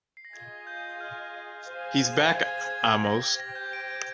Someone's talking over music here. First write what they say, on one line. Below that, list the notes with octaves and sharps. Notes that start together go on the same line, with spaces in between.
He's back, Amos!
C7
A#6
F4 G#4 D#5 G#6
G6
F6
G#4 C5 F5 G#5
G#6
G#6
G#6
G4 C5 G5 A#6
G#6
A#6
G6
D7
D7